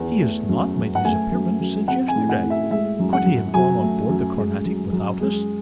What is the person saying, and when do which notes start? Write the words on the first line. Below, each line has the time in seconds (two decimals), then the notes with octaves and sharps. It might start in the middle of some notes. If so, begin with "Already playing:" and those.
"He has not made his appearance since yesterday. Could he have gone on board the Carnatic without us?"
Already playing: E2
0.21 A3
0.49 F#2
0.77 F#2
0.95 F#5
1.05 A3 G#5
1.32 F#2
1.60 F#2
1.88 C4 F#5
2.08 G#5
2.15 A2
2.29 F#5
2.43 A2
2.50 E5
2.71 G#3 E5
2.99 F#2
3.13 F#5
3.26 F#2
3.54 F#3 G#5
3.82 A3
4.09 F#2
4.37 G#3
4.65 F#2
4.93 F#2
5.20 G#3